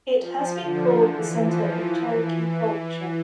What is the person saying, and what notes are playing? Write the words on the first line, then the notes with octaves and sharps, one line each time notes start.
It has been called the center of Cherokee culture.
F3
D3
E3
F3
E3
E3